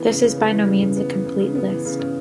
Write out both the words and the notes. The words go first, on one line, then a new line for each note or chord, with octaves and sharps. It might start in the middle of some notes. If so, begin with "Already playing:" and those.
This is by no means a complete list.
Already playing: E3 B3
C#3
C#3
B3
E3
C#3
C#3
B3
E3
C#3
C#3
B3
E3
C#3
C#3